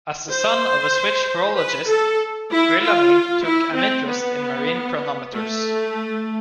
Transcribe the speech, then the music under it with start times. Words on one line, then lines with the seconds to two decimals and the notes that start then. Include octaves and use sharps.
As the son of a Swiss horologist Guillaume took an interest in marine chronometers.
0.31 C5
1.57 B4
1.88 A4
2.51 E4
2.83 F4
3.45 E4
3.76 C4
4.08 B3
5.33 A3